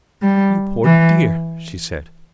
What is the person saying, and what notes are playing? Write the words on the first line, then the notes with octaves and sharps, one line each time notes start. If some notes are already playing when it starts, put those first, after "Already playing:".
"You poor dear!" she said.
G3
E3